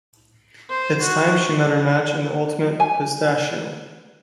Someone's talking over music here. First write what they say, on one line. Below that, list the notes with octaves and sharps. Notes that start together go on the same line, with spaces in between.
It's time she met her match in The Ultimate Pistachio.
C5
F#4
G#5